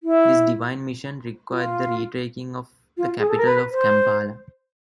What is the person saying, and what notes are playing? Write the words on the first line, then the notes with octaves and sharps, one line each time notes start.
This divine mission required the retaking of the capital of Kampala.
E4
F4
F4
G#4
A4
A#4
B4
C5